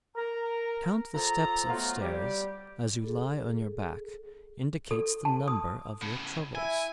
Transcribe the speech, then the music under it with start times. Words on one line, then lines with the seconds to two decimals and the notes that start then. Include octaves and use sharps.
To count the steps of stairs, as you lie on your back, indicates the number of your troubles.
0.15 A#4 A#5
1.14 F3 A4 A#5
1.68 F3 F#3 A3 B3 F4
2.01 G3 G4
3.04 G#4 A4
4.91 A4
5.25 A5
5.48 D#6
6.02 A2 C#3
6.55 E4 G#5